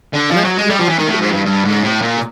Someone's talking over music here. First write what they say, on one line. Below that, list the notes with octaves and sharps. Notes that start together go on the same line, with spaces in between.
And I you know, I recommend, you know, just
D3
F3
F#3
G#3
G3
F3
E3
D#3
A2
G#2
G2
G2
G#2
A2
A#2